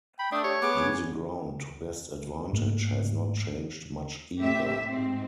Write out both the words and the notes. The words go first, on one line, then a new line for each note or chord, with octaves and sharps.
Using ground to best advantage has not changed much either.
G5 B5
A3 D4 D#6
G4 C#5
B3 G#4 D6
G#2 A3 A#3
A2 C4 G4 E5
G#2 C4